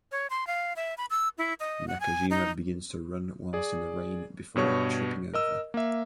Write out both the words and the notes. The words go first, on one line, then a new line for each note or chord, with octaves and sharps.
Nakajima begins to run whilst in the rain before tripping over.
C#5
C6
F5
E5
B5
E6
E4
D#5
F#5
G#5
D#4
G#4 D5
G2 B2 C#5 C#6
A#4 D#5 E6
A#3 E5